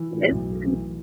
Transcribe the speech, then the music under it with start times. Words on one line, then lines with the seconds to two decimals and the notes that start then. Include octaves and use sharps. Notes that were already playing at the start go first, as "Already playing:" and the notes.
this and
Already playing: E3
0.13 A2
0.32 B1
0.52 A3
0.72 E3